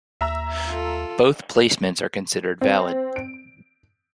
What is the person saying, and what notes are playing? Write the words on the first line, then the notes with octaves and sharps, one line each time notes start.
Both placements are considered valid.
D#2 E5 A#5 E6
F4 A4
C4
D7